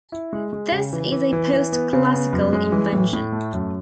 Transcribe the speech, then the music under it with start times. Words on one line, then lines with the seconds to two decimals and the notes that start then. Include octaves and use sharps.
This is a post-classical invention.
0.12 E4
0.33 G#3
0.53 G#3
0.72 C#3
0.93 E3
1.12 E3
1.33 E3
1.53 E3
1.72 B3
1.93 C#3
2.13 B3
2.33 F#2
2.53 G#3
2.72 E3
2.92 A2
3.13 A2
3.32 A3
3.53 F#2